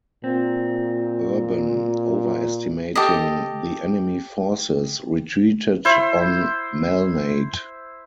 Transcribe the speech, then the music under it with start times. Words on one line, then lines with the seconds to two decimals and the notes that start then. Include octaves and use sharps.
Urban, overestimating the enemy forces, retreated on Malnate.
0.24 A#2 C4
2.95 G4 A4 D#5
5.85 E4 C5